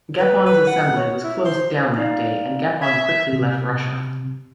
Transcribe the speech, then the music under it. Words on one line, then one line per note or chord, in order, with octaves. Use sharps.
Gapon's Assembly was closed down that day, and Gapon quickly left Russia.
B4
B4
F#5
C#5
E4
C5
D#4 D5 F5
E5 G#6
C3